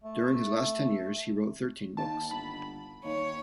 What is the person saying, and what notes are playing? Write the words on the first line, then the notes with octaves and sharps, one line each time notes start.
During his last ten years he wrote thirteen books.
A3
D#2 A5
G1 B5
D#2 C#5